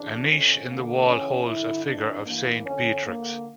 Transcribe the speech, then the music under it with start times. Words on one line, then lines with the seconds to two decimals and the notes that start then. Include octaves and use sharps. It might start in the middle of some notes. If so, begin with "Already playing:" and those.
A niche in the wall holds a figure of Saint Beatrix.
Already playing: D2 C#3 E3 D4
0.27 F2 D3 C#4
0.67 E2 D3 A#3
1.06 D2 C#3 E3 C#4
1.46 G2 D3 E4
1.85 F2 C#3 E3 D4
2.25 G2 E3 A#3
2.65 F2 D3 C#4
3.05 D2 D3 A#3